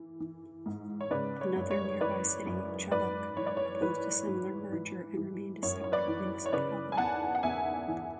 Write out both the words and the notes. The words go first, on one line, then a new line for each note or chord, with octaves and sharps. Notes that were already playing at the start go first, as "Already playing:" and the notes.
Another nearby city, Chubbuck, opposed a similar merger and remained a separate municipality.
Already playing: E3
E3
G#2
C#5
C#3 B4 D5
C#5
F#2
C#5
E3 B4 D5
F#2
G#2 B4 D5
E3 C#5
D5
C#5
E3 B4
G#2
E3
E3
F#2 C#5
C#5
B4 D5
E3
C#5
C#3 B4 D5
G#5
E2 F#5 A5
F#5
E2 E5 G#5
E3